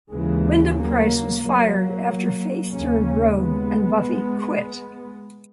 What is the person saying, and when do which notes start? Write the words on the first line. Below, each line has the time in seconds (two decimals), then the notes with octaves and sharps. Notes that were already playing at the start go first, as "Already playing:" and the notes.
Wyndam-Pryce was fired after Faith turned rogue and Buffy "quit".
0.11 D#2 C#3 E3 G#3
0.76 F#3 A#3
1.41 F#3 A#3
2.71 D#2 C#3 A#3 C#4
3.35 G#3 B3